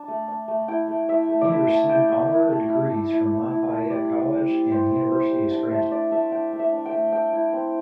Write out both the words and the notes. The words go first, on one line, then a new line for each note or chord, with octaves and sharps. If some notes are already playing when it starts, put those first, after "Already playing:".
He has received honorary degrees from Lafayette College and the University of Scranton.
Already playing: D4 A5
A3
D4
A3
E4 G5
A3
E4 E5
A3
D5
E4 E5
A3 A5
E4 G5
A3
E4
A3
E4
A3
E4
A3
E4
A3
G3 D5
E4
C4
G3
G3 C5
E4
C4 C5
G3
D4 G5
A3 E5
D4 D5
A3 E5
D4 G5
A3
E5
D4
G5
A3
A3 G5
E4
C4